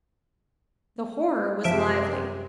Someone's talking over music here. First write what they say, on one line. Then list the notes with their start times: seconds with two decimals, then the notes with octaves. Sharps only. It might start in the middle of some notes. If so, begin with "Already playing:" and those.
The horror was lively.
1.64 F#2 C3 F3 E5 D7